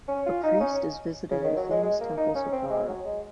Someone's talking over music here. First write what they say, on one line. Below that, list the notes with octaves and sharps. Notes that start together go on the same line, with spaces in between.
A priest is visiting the famous temples of Nara.
C#4
F4
D#4
C#4
C#3
D#3
F#3
G#3
G#3
A#3
D#4
C#4
C4
G#3
F#3
G#3